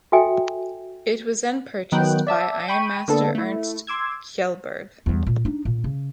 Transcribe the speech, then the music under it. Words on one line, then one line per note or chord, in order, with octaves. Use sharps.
It was then purchased by Ironmaster Ernst Kjellberg.
F#4 A4 E5 G5 G#5
D#3 F#3 B3 G5 F#6
D5 E5 A5
G5 B5 C#6 D#7
D3 A#3 B3 D4 A4
A3 E4
C6 D6 E6 G#6
E2 G3
A#2
D4 D#4
A#2
C#3